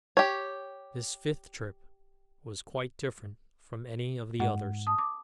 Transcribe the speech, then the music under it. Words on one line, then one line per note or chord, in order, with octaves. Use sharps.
THIS fifth trip was quite different from any of the others.
G4 C#5
G#2 F#5
A5 D#6
D6